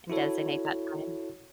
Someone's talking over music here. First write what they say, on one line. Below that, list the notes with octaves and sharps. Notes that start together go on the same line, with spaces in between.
and designate that time.
E4 F#4 A4 C#5